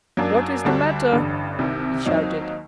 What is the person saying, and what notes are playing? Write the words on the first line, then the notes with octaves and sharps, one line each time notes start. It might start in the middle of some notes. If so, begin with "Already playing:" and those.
"What is the matter?" he shouted.
F#2 F#3 A#3 D4
D2 D3 G3 D4 F#4
A1 G2 D3
C2 C3 D#3
D#2 D#3 F#3 C4 D#4